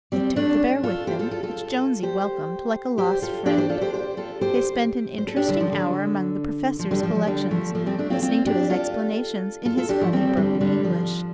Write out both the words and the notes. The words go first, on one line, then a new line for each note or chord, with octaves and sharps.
They took the bear with them, which Jonesy welcomed like a lost friend. They spent an interesting hour among the professor's collections, listening to his explanations in his funny broken English.
G3 C4
A3 D4
F4 A4
G4 C5
F4 A4
F4 A4
F4 A4
G4 C5
G4 C5
F4 A4
D4 G4
G4 C5
F4 A4
G4 C5
G4 C5
F4 A4
G4 C5
C5
A4
D4 G4
D3 G3
F3
D3
F3
D3 G3
F3
F3
D3 G3
F3 A3
F3 A3
G3 C4
A3 D4
C4 F4
C4 F4
D4 G4
F4 A4
F4 A4
F4 A4
D4 G4
F3 A3
G3 C4
D3 G3
D3 G3
F3